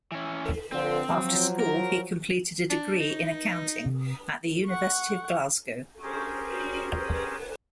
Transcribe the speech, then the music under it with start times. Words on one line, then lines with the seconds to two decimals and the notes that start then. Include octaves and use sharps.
After school, he completed a degree in accounting at the University of Glasgow.
0.12 E3 C#4
0.72 D3 F3 C4
1.13 F3 F#3
1.60 A#4
2.70 D4
3.00 D#4
3.86 C3
4.66 F#5 C#6
6.02 C#4 G4 G#4 A#4 C5